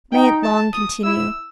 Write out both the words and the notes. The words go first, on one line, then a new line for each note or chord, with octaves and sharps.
May it long continue!
D#4 G5
A5
D#6
E4 E6